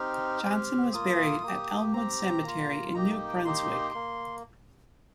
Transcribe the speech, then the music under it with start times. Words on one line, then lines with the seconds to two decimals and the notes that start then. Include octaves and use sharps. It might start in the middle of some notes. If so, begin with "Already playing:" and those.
Johnson was buried at Elmwood Cemetery in New Brunswick.
Already playing: C4 D#4 G4 F6
0.43 C4 G4
0.93 A#3 F4 D#6
1.43 A#3 G4
1.93 C4 G4 A#5
2.44 A#3 F4
2.94 A#3 D#4 G4 A#5
3.27 G5
3.45 A#3 D#4 G4 C6
3.95 A#3